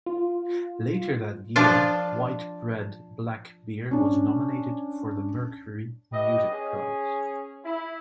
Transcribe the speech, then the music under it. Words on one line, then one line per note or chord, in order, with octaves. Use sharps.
Later that year, "White Bread, Black Beer" was nominated for the Mercury Music Prize.
F4
F3 D4 F4
C#4 D4
G4 B4 D#5
C#4 G#4
E4